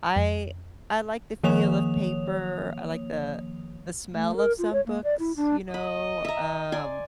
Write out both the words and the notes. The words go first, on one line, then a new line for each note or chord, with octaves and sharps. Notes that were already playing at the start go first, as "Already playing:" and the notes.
I I like the feel of paper. I like the the smell of some books, you know, um,
F2
D#3 F3 A#3 C#5 D#6 F7
A3
A#4
F4
C#5
A#3
D5
E4
D4
D#5 B5
E5 A#5
D5 G#5 C6